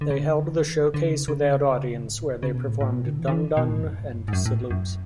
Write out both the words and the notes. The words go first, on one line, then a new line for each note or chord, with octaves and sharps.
They held the showcase without audience where they performed "Dun Dun" and "Salute".
D3
C#3
D3
E3
D3
D3
C#3
C#3
D3
C#3
G#2
A2
B2
C#3
C#3
B2
A2
A2
B2
D3
E3
D3
E3
B2
A2
F#2
G#2
F#2
G#2
F#2
A2
F#2